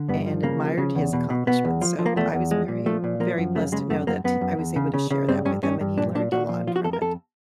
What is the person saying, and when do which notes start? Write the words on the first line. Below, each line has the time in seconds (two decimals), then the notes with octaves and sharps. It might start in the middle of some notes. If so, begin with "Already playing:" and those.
and admired his accomplishments, so, I was very very blessed to know that I was able to share that with him, and he learned a lot from it.
Already playing: D3
0.09 G2 B3
0.26 F3
0.43 C#3 A#3
0.60 F3
0.78 C#3
0.95 E2
1.13 B2
1.30 B2
1.47 B2 B3
1.65 E2
1.81 F3
1.99 F3
2.06 A#3
2.16 E2 A3
2.33 E2
2.51 F3 G#3
2.68 A#2
2.86 F3 A3
3.04 A#2
3.20 F3 A#3
3.38 F#2
3.55 C#3 A3
3.72 C#3 G#3
3.90 F#2 A3
4.07 F#2 A#3
4.24 F#2 B3
4.41 F#2
4.59 E2
4.76 C#3
4.94 C#3
5.11 C#3
5.29 G2 C4
5.45 G2 C#4
5.63 G2 C#4
5.81 G2
5.98 A#2 D4
6.15 A#2 D4
6.32 A#2 F#4
6.49 F3
6.67 F3 F4
6.76 F#4
6.84 F2 A4
6.93 A#4
7.01 F2 A4